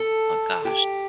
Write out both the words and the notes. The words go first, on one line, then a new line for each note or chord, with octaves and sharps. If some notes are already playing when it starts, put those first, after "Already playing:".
Oh gosh.
Already playing: A4
G4